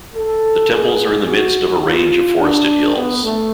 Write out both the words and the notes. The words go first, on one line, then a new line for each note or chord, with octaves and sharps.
The temples are in the midst of a range of forested hills.
A4
G#4
F#4
F4
D4
B3
A3